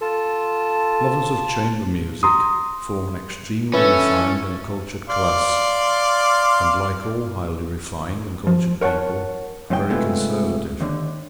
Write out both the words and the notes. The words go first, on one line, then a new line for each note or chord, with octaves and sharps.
Lovers of chamber music form an extremely refined and cultured class, and, like all highly refined and cultured people, are very conservative.
F4 A4 A5
A#5 C6 D#6
E3 C#4 A4 B4
D5 F5 C6
F3
A#4 C#5 F#5 G5 A5
F#2 A2 C#3 B4 G5
G2 C3 G#3 A3 B3 F4
D#2 D3